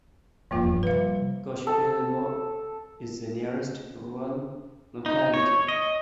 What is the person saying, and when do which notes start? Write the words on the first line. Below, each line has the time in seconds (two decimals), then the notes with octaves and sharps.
Kushpelevo is the nearest rural locality.
0.51 D#1 E2 G2 F3 A#3 F4
0.83 C3 G3 B4 F5
1.67 A4
5.06 D#4
5.34 C#5
5.68 D#5